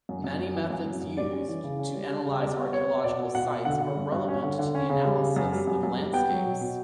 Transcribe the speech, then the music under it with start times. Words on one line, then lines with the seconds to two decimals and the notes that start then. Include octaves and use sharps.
Many methods used to analyze archaeological sites are relevant to the analysis of landscapes.
0.09 F#2
0.24 F#2
0.39 F#2
0.55 E3
0.70 F#2
0.86 F#2
1.02 F#2
1.17 G3 D5
1.33 C#4
1.48 E3
1.64 C#3
1.79 C#4
1.95 G3
2.11 G3
2.26 C#3
2.41 G3 D5
2.57 B3
2.72 B3 C#5
2.88 B3
3.04 B2 D5
3.19 B3
3.35 B2 F#5
3.50 B2
3.65 D3 F#5
3.81 D3
3.97 G2
4.12 G2
4.28 C#4
4.43 D3
4.59 D3
4.75 C#4
4.89 C#3
5.05 G3
5.20 C#3
5.36 F#2
5.52 G3
5.67 F#2
5.83 F#2
5.99 G3
6.13 B3 G5
6.30 F#3
6.45 B2
6.61 B2